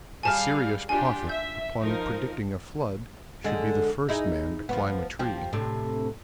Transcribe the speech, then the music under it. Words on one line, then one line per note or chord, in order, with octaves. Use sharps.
A serious prophet upon predicting a flood should be the first man to climb a tree.
G3 G#4 F5 G#5 A5 F6
D4 F4 G4 G#5
E5 G6
F3 D#4 A#4
D3 G#3
D#4 E4 G#4
F3 B3
F3 G4
A2 C3 D4